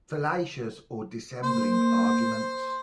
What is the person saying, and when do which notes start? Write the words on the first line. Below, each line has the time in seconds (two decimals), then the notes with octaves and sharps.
Fallacious or dissembling arguments.
1.43 A#3 C5